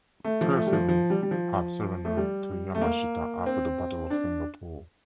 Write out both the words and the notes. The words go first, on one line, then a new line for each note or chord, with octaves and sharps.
Percival had surrendered to Yamashita after the Battle of Singapore.
A3
F3
A3
G3
F3
F3
G3
G3
F3
A3
G3
A3
A#3
C4
D4